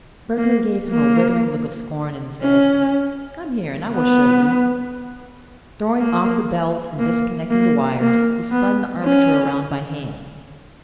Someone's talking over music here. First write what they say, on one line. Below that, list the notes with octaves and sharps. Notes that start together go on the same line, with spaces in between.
Bergmann gave him a withering look of scorn, and said, 'Come here and I will show you.' Throwing off the belt and disconnecting the wires, he spun the armature around by hand.
A#3
A#3
C#4
B3
A#3
A#3
A#3
A#3
B3
C#4